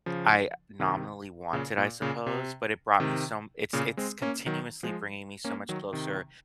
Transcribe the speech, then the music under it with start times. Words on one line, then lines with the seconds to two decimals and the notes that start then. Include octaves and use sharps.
I nominally wanted, I suppose, but it brought me some it's it's continuously bringing me so much closer
0.06 C#3 F3
0.80 C3 D#3
1.53 A#2 C#3
1.78 A#2
2.02 A#2 C#3
2.26 C3
3.00 C3 D#3
3.73 A#2 C#3
3.97 G#3 C4
4.22 A#3 C#4
4.46 D#3 F#3
4.83 F3 G#3
5.44 A#3 C#4
5.69 D#3 F#3
5.93 C3 D#3